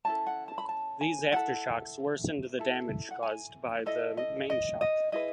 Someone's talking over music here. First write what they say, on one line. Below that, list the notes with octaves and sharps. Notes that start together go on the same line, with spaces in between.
These aftershocks worsened the damage caused by the mainshock.
C#4 E4 A4 A5
F#5
A5
B5
A5
G#5
E4 A4 F#5
E4 A4
F#5
G#5
E4 A4 D#5
D#5
D#5
D#5
E4 G#4 B4 D#5